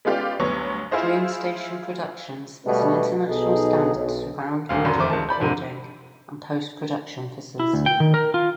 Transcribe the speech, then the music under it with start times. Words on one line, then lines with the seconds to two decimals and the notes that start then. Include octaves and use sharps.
Dream Station Productions is an international standard surround audio recording and post production facility.
0.05 G#3 B3 C#4 F4 G4 D5
0.40 D2 G2 F#3 B3 C#5 C#6
0.91 E4 F4 G#4 C5 D#5
2.66 B2 G3 A3 B3
3.29 B1 B2 D#4 G#4 A4
3.94 B1
4.69 D#1 D2 F5
4.85 F#2 D3 B5 C6
4.98 F1 C5 E5 D6
5.10 C#2 A5
5.29 D5 B5 G6
5.40 F2 G#2 C3
7.60 E4
7.74 D2
7.86 G5
8.00 D#3
8.14 A#4
8.34 F4